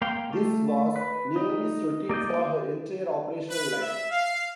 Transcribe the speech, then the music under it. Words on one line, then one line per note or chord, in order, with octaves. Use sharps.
This was "Leary"s routine for her entire operational life.
A#3 F5 G5
A3
B4
D#4
A#3 D5 D#5 G6
B4
E5
F5